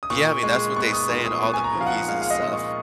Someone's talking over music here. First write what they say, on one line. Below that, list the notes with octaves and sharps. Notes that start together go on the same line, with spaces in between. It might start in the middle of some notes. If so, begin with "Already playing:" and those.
Yeah, I mean, that's what they say in all the movies and stuff.
D#6
A#2 C#6
G#3 C#6
B3 C#6
D#6
A#2 C#6
D#6
B3 C#6
G#5
A#5
F3
F5
F#5
G#3 F5
F5
D#5
A#2
C#6